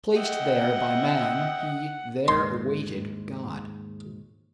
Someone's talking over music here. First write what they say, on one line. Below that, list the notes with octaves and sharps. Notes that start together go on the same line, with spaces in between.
Placed there by man, he there awaited God.
D#5 E5 F#5 G5
D#2 G#2 C6